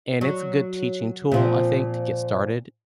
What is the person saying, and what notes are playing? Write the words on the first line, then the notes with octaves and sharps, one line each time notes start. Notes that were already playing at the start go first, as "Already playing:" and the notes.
and it's a good teaching tool I think to get started,
F#3
A#2 F3 C4